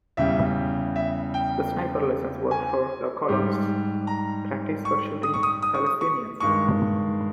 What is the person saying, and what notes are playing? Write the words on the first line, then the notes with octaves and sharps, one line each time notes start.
The sniper lessons were for the colonists, practice for shooting Palestinians.
E2 C#3 G3 E5
E5
G5
G#5
G#2 G3
A#5
C#6
D#6
C#6
D#6
D#6
C#6
D#6
C#6
G2 D#3 G#3 C#6